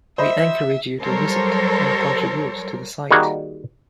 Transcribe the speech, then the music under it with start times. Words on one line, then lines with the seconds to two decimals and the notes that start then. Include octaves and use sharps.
We encourage you to visit and contribute to the site.
0.18 C5 D#5 E5 B5
1.01 F#3 G3 A4 A#4 C5 C#5
3.11 D#3 G3 A#3 F#4 G#4